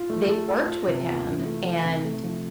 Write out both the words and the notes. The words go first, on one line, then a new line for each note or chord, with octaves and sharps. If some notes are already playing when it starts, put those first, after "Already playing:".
they worked with him, and,
Already playing: F4
A3
A4
A4
F4
C3
F4
E3
A3
A3
C3
A3
F3